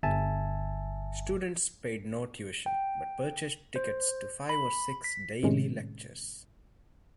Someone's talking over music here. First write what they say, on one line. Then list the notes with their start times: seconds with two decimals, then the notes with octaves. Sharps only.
Students paid no tuition, but purchased tickets to five or six daily lectures.
0.03 G1 E5 G#5 A5
2.66 G5
3.76 C5
4.49 B5
5.04 B6
5.43 A2 C3 D#3 G#3 C#4